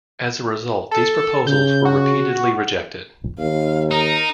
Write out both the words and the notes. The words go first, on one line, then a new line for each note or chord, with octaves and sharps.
As a result, these proposals were repeatedly rejected.
A4
C#3 G6
F#4
D#2 F5
D#4 A#4 A#5